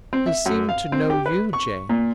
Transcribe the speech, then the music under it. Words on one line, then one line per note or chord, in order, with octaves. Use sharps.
He seemed to know you, Jane.
C4
E5
F#2
F5
C4
G4
B4
C#6
A#2